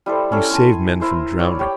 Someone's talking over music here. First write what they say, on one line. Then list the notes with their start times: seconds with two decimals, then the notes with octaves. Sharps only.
You saved men from drowning.
0.06 G3 E4 A4 C5
0.32 C#4 A4
0.51 G#5 A5 C6
1.01 E4 A#4 C5
1.39 C#5 D5 C#6
1.59 G4 C#5 G5